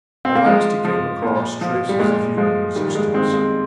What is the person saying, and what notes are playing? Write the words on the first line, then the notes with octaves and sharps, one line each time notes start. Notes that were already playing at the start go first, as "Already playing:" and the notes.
At last he came across traces of human existence.
C4
A#3
F3 G#3
F3
A#2
F3
G3
A#2 G#3
F3 G#3
D#3 G3
G#3
D#3 G#3 C4
G#3